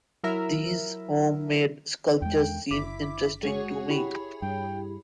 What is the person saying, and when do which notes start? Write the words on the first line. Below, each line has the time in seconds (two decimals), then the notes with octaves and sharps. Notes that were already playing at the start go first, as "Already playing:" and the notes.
These home-made sculptures seem interesting to me.
0.24 F#3 E4 A#4 E5
2.22 E2 G#3 G5
2.71 F#1 E4 D6 B6
3.43 G#3 F#4 G#4 C#5
3.90 E4 G4 B5
4.42 G2 G5